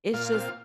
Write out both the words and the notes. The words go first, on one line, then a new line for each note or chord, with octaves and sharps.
It’s just
A#2 F4 F5
C4